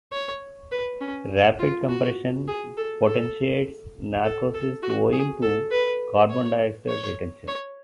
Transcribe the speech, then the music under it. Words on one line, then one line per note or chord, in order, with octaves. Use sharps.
Rapid compression potentiates narcosis owing to carbon dioxide retention.
C#5
B4
C#4
F4
F#4
G#4
A4
A4
A4
A4
F#4
G#4
A4
B4
C#5
C#5
C#5